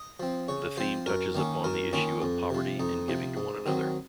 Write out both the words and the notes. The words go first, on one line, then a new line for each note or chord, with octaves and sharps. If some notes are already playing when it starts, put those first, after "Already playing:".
The theme touches upon the issue of poverty and giving to one another.
Already playing: D#5
F3 C4
C#3 C#5
F3 C4 C5
F#2 A#4
D#3 A#3 C#4
F#2 A#4
D#3 A#3 C#4 F4
F2
C3 F3
F2 D#4
C3 F3
G#2
D#3 F#3 C4